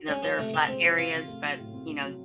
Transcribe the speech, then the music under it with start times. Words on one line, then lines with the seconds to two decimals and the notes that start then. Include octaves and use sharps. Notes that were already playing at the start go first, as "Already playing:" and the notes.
you know, there are flat areas, but, you know
Already playing: F#4
0.08 G#3 C#4
0.23 F3 B3
0.39 C3 A3
0.54 C3 B3
0.68 G#3 C4
0.84 F3
0.98 C3 F4
1.14 C3
1.28 A3
1.44 F#3
1.58 A2
1.74 C4
1.89 A3
2.03 F#3